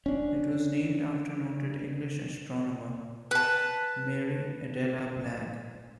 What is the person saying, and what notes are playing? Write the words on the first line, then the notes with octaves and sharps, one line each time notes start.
It was named after noted English astronomer Mary Adela Blagg.
C#4 D4
B4 A5